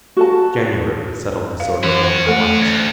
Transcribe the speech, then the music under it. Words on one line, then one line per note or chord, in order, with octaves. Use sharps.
January settled disorder among the whites.
F#4 A4 A5
F5
E3 C#4 F#4
C5
A3 A4
D2